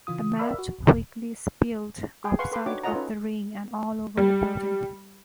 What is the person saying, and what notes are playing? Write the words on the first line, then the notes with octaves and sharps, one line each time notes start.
The match quickly spilled outside of the ring and all over the building.
C#3 E3 F4 D#6
A#4 D5 E5 F5 B5 E6
F#4
A1 E2 B2
G#4 G5
B4 F5 F#5 C6 C#6
A4 B4 G5 B5 C6 D6
D4 D#4 F#4 C#5 G5 D6
F4 A4 C#5 D#5 F#5 A#5
C#4 D#4 B4
G3